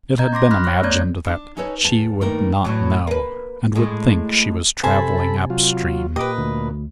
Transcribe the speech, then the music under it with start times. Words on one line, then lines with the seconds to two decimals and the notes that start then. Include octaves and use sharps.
It had been imagined that she "would not know," and would think she was traveling upstream.
0.19 D#5 A#5 G6 G#6
0.33 C4 C6 D6 A#6
0.51 B5 F6 F#6 A#6
0.64 C#5 C#6 F#6 A#6
0.83 A3 B3 C#5 D5 G6 G#6
1.26 D4
1.57 C#4 D#4 A4 B4 C#5
1.83 E2 A5
2.21 G2 D#3 A3 A#3 A#4
2.65 E2 A2 F#3
3.07 A#3 B4
3.75 A2 G#3
4.83 C3 A4 C5 G#5 A5 B5
5.50 F#3 F4
6.16 A#2 G4 B4 D#5 D6
6.38 D2